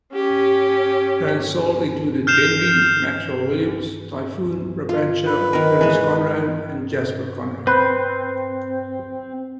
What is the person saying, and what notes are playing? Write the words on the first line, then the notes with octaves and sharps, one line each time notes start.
Brands sold included Denby, Maxwell Williams, Typhoon, Brabantia, Terence Conran and Jasper Conran.
C#4 G4
F6 G6 C7 E7 F7
F4
B4
D#3 A#4
E3 G#3
C4 B4